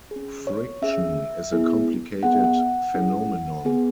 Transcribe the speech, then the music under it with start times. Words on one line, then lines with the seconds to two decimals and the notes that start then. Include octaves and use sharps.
Friction is a complicated phenomenon.
0.11 C#4 G#4
0.47 C#5
0.82 C#4 G#4 E5
1.52 B3 E4 G#4
2.23 B3 G#4 F#5
2.34 E5
2.44 F#5
2.94 C#4 E4 G#4
3.65 B3 G#4